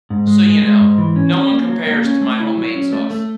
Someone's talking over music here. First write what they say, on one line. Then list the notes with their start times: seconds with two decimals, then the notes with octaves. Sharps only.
So, you know, no one compares to my homemade sauce.
0.10 G#2
0.27 G#3
0.46 G#3
0.63 G#3
0.81 G#2
0.98 E3
1.16 C#4
1.34 C#4
1.51 A#3
1.69 F#3
1.87 A#3
2.04 C#4
2.21 A3
2.40 E4
2.57 F#3
2.75 C#4
2.93 A3
3.10 A3